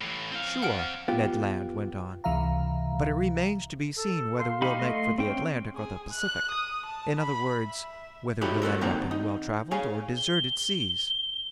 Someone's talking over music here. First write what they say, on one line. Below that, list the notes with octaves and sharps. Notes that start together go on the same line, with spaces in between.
"Sure," Ned Land went on, "but it remains to be seen whether we'll make for the Atlantic or the Pacific, in other words, whether we'll end up in well-traveled or deserted seas."
A2 E3
C4 F5
F#5 F6 D7
B3 F4 G4
C#2 C3 E3 E5 F5 A#5
A4
F5 C6
D#4 G4 B5
A3 D#5
C4 C#4 G5
G#4
F#6
D#6
A5
B5
E5
D#4 E4 F#4 G4 A4 C#5
C#4 F#4 A4 A#4
G2 D#3 A#3 C4 F#5 A#5
D#4
G#4 C#5 F5 G#5
G7